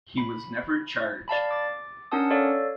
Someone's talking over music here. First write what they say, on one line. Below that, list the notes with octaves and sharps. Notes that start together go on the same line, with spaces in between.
He was never charged.
B5
D5 F5 A5 B5
D6 A6
C#4 D4 A#4 F#5 A5 D#6
A4 C#5 D5 F5